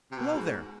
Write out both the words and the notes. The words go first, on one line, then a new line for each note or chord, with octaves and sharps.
Below there!
C3
B2
G#2